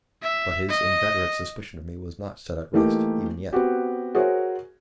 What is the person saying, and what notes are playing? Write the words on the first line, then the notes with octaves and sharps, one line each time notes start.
But his inveterate suspicion of me was not set at rest, even yet.
E5
D#5
E3 A3 A#3 D#4 G4
B3 C4 F#4 G4
F#4 G#4 A#4 C5 C#5 E5